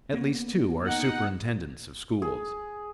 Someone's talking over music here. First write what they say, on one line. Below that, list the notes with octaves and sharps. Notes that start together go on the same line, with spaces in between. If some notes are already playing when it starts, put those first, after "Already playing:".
At least two are superintendents of schools.
A#3 B3
D#4 F#5
G#4